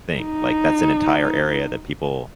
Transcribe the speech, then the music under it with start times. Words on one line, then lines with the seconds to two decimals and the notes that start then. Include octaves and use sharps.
thing, like, that's an entire area that people
0.20 D#4